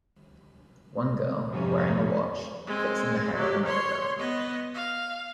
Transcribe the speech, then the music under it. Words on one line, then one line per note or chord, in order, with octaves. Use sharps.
One girl, wearing a watch, fixing the hair of another girl.
F2 G#2 C3 G3 A#3 C#4
G#3 C4
F#3 G4
C#5 C6
B3 D#5
F5